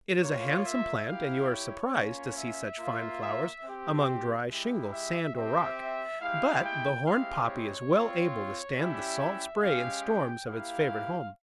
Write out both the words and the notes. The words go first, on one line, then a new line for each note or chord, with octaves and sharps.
It is a handsome plant, and you are surprised to see such fine flowers among dry shingle, sand, or rock; but the Horned Poppy is well able to stand the salt spray and storms of its favourite home.
A#3 F4 C#5
E5
A#3 E4 G4 F5
C#5
A#3 C#4 F4
E5
A#3 F4
E5
C4 G4
G#3 E4 G4
E5
C4 G4 E5
G#3 E4 G4 F5
G5
G#3 C4 E4 G4 F5
C#5
C4 F4
G3 C#4 E4 G4 E5
G#3 C#4 G4 F5
G5
A#3 E4 G4 F5